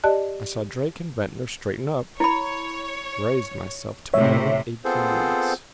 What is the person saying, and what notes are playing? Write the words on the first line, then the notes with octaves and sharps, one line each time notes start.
I saw Drake and Ventnor straighten up; raised myself to my own aching knees.
G4 D5 D#5 A5 F#6
E4 C#5 B5
A2 C3 C#5 E5
B3 C4 F4 G#4 A4 C5